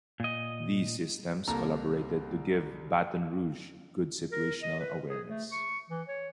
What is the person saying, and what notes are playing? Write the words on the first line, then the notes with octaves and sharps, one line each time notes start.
These systems collaborated to give "Baton Rouge" good situational awareness.
A#2 D#5
C2 A#3 A4 A#5
A#4
D#5
B4
G#4
A3
C#6
E3
C#5